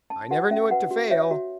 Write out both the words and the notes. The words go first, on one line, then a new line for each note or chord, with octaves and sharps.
I never knew it to fail.
C#4 A5
F#4 B4 F#5
C#4 E5
F#4 B4 F#5
F#4
C#5 E5
F#4